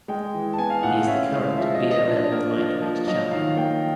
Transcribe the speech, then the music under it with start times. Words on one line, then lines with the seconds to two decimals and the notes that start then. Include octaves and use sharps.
He is the current BoM Lightweight champion.
0.08 G#3 G5
0.34 E3
0.53 A5
0.58 B3 G#5
0.70 F5
0.83 A2 F#5
0.95 F5
1.07 C#4 E5
1.32 G#3 F5
1.58 F3 E5
1.75 D#5
1.83 F3
1.91 D#5
2.07 D4
2.32 A#3
2.57 F3
2.82 F3
3.07 F#3 D#5
3.31 D#3 F5
3.57 A#3 G5